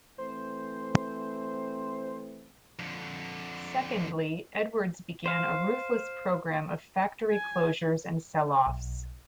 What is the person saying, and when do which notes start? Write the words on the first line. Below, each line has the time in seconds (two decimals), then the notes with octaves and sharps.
Secondly, Edwardes began a ruthless programme of factory closures and sell-offs.
0.18 E3 A3 C4 C5
2.79 F2 D3
5.26 C5 F5
7.31 G#5
8.67 B1